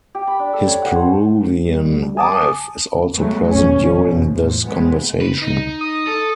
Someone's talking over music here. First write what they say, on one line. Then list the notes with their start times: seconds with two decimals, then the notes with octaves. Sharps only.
His Peruvian wife is also present during this conversation.
0.15 G4
0.27 B5
0.39 D4
0.53 A4
0.67 C#5
0.82 F#5
0.95 C5
1.68 G3
2.17 G#5 A5 D6 D#6
3.16 F#3 G#3 A3 B3
3.52 G#1 D#2 B2 C#4
3.94 F2 B2
4.27 E2 A2 F3
4.63 B2 G#3 B3 C4
5.21 B4
5.42 D#4
5.81 D#6
6.07 A4